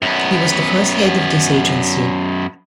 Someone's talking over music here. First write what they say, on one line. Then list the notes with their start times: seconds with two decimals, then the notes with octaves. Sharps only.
He was the first head of this agency.
0.02 F#2 B3